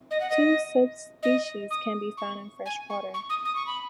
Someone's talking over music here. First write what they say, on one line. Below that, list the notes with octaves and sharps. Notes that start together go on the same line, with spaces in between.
Two subspecies can be found in freshwater.
D#5
F#5
D#5
D#5
D#6
C#6
G#5
C#6
C#6
D#6
D#6
C#6
B5